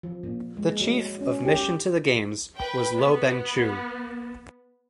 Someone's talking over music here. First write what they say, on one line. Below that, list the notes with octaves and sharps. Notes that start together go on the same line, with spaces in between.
The Chief of mission to the games was Low Beng Choo.
F3
A#2
G#3
F#3
C#4
G4
B4 G5
B3